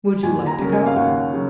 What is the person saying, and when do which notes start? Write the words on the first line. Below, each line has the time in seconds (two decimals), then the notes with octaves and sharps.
"Would you like to go?"
0.23 D#2 G#5
0.47 A#5
0.59 C#3 F#3 A#3
0.72 G#5
0.86 F5
0.96 D#2 F#5
1.33 C#3 F#3